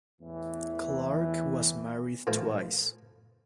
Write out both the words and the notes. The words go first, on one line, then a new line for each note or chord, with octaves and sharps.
Clark was married twice.
E2 A2 E3
A2 E3 F3